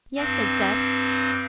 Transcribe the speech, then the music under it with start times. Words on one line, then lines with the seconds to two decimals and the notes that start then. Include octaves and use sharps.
"Yes," said Seth.
0.16 G2 C4